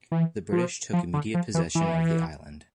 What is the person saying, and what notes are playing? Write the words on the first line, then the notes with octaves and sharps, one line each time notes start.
The British took immediate possession of the island.
E3
F3
F3
D3
F3
E3
E3